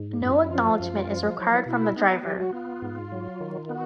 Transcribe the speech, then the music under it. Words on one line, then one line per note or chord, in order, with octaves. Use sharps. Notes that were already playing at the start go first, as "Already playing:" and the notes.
No acknowledgement is required from the driver.
Already playing: G#2
F#2 E4
F4
E4
F3 F4
F#2
F3
F#3 E4
B2 E4
B3 D#4
E4
F#3 G4
F#4
B3 F4
G#2
F#3
D#3
B3 F#4